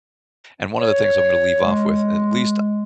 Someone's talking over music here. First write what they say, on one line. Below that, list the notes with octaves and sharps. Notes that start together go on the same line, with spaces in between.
And one of the things I'm gonna leave off with, at least
C#5
G#3